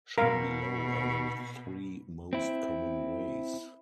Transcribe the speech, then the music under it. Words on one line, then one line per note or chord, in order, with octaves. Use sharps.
Shown below are the three most common ways.
B2 A#4 F5
C4 E4